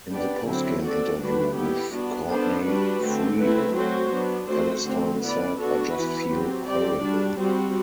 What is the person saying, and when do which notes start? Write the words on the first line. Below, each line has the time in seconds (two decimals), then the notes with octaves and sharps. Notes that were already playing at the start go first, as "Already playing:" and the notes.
In the post-game interview with Courtney Friel, Alstyne said, I just feel horrible.
0.10 B3 D4 G4 D5
0.46 D3 F#3 C4 E4
0.83 C4 F#4 A4 D5
1.19 D3 G3 D4 F#4 B4
1.56 G3 B3 E4 G4
1.92 B3 D4 F#4
2.28 B3 D4 A4 C5
2.65 G3 D4 F#4 B4
3.02 D3 A3 C4
3.38 A3 C4 E4 B4
3.74 F#3 A3 C4 F#4 C5
4.11 F#3 B3 D4
4.47 A3 C4 F#4 C5
4.84 D3 A3 C4
5.20 B3 E4 B4 D5
5.56 B3 D4 F#4 A4
5.93 E3 B3 E4 B4
6.29 F#3 C4 G4
6.65 G3 C4 G4 D5
7.02 G3 D4 F#4
7.39 G3 C4 F#4